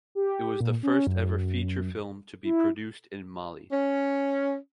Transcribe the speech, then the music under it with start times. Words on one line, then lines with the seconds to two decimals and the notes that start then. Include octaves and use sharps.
It was the first ever feature film to be produced in Mali.
0.15 G4
0.61 A#2
0.83 C#4
1.07 F#2
2.44 E4
3.72 C#4